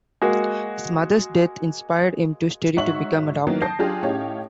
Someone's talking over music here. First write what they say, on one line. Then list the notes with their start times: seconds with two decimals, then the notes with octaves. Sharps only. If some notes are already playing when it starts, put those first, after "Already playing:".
His mother's death inspired him to study to become a doctor.
0.22 G#3 A#3 F#4
2.77 G#2 F#4 C#5 E5 C#6 F#7
3.47 D#3 E3 F#3 A#3
3.61 A5 D#6 G6 A#6 C7 D7
3.79 F#3 D4 F4 G4 G#4
4.03 A2 C#4 D#4 G4 C#5 F5